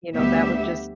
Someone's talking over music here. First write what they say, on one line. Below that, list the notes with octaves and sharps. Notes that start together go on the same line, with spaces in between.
you know, that would just
D2 G3 B3 G4 E5